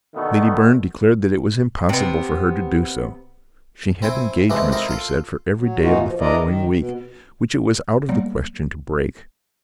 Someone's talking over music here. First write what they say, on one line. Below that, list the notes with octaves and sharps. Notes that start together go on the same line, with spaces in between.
Lady Byrne declared that it was impossible for her to do so: she had engagements, she said, for every day of the following week, which it was out of the question to break.
B2 D3 D#3 A3 B3
C3 B3
C4 E4 G5 G#5
G#2 C3 E3 G#3 A3 D4
C4 D#4 E4 A#4
F4 A4
F#3
D#2 A#2 E3 D#4 F4 F#4
F3
D4 E4 A#4 D5 D#5
D#3
B2
F#3 G3 A#3 B3